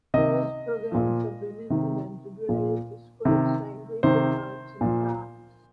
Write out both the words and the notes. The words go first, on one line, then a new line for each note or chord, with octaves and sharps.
Various programs have been implemented related to sports, language, and arts and crafts.
C3 D#3 D#5
A#2 F3
C3 D#3
A#2 F3
C3 D#3
C3 D#3 C5
A#2 F3